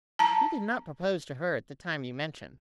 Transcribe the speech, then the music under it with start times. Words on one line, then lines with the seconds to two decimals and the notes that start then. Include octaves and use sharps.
He did not propose to her at the time you mention.
0.19 A5 A#5